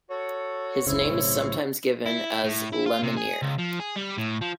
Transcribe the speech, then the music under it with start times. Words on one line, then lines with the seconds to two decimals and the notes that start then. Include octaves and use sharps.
His name is sometimes given as Lemonnier.
0.09 F#4 A4 C#5
0.87 F#1 C#2 C#3 C4 E4 C#5
1.09 B1 A2 C#3
2.06 E4
2.44 A2
2.73 E4
2.86 F4
3.03 C3
3.17 G#4
3.42 C#2
3.58 F3
3.80 G#4
3.96 G3
4.18 A2
4.42 F3